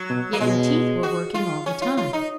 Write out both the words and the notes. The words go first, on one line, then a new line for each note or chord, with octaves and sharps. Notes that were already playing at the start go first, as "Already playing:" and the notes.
Yet your teeth were working all the time.
Already playing: F#3
B2
A#3
B2 G#3
F#4
F4
C#4
F4
F4
D#4